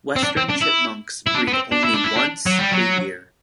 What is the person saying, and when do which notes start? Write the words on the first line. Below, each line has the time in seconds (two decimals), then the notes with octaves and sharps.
Western chipmunks breed only once a year.
0.16 C4
0.24 D4
0.37 C4
0.49 D4
0.61 E4
1.27 E4
1.35 D4
1.48 B3
1.54 C4
1.72 D4
1.83 E4
1.94 D4
2.04 E4
2.16 D4
2.46 F#3
2.59 G3
2.71 F#3